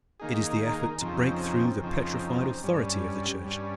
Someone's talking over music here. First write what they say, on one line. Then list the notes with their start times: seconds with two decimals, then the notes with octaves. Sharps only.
It is the effort to break through the petrified authority of the Church.
0.20 D#3 A#3 D#4 G#4
1.01 F2 C#3 F3 C4 D#4
1.81 F2 C#3 F3 C4 D#4
2.63 G2 G3 C#4
3.44 G2 G3 C#4